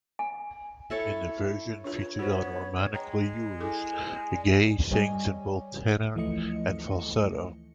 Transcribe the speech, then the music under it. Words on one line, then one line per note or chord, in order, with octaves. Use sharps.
In the version featured on "Romantically Yours", Gaye sings in both tenor and falsetto.
G#5
E4 A4 C#5
C#2 D4 F4 C#5
B3 F#4 C5
G#3 G5 A#5
E4 G#4 A4 G#5
D5
G3 C#5 D#5 G#5
D2 E3 F3 A3 D#5 C#7